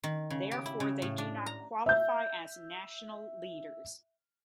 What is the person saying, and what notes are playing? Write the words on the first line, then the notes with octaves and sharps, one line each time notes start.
Therefore, they do not qualify as "national leaders".
D#3
C#3
G4
E4
C#3
A2
D4
A#5
E5 G6